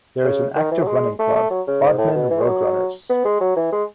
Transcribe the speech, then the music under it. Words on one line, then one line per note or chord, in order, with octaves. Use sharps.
There is an active running club: Bodmin RoadRunners.
C#3
D#3
E3
F#3
G#3
A3
A3
F#3
C#3
G#2
A2
B2
E3
G#3
F#3
B3
G#3
F#3
E3
G#3